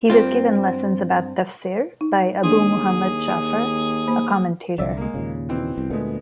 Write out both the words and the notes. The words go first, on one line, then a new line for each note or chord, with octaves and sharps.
He was given lessons about Tafsir by Abu Muhammad Ja'far, a commentator.
G2 C4 F4
D#4
D#2 D4 G#4
A#3 C5 B5
C2 D3 D5 E5
G#3 A#3
D#2 A#2 C#3
B2 E3 C4
C2
D2 A#2 G#3 A3 B3